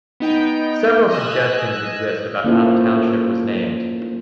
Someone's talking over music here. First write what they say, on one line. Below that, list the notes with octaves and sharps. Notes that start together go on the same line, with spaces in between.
Several suggestions exist about how the township was named.
B3 D#4 G5
D#5 G#5 E6 F#6
A#3 C#4 E4 F4 A4 C5